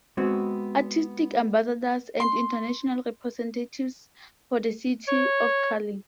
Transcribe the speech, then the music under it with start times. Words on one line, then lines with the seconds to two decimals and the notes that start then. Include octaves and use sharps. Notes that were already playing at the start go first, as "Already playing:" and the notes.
Artistic Ambassadors and international representatives for the city of Cali.
0.17 G#3 B3 C4 F#4
2.20 C6
5.08 C#5